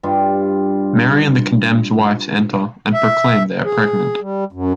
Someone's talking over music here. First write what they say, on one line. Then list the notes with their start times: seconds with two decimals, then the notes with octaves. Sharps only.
Mary and the condemned's wives enter and proclaim they are pregnant.
0.03 G2 G3 F4
2.93 E5
3.65 G#4
4.21 G3
4.52 F#2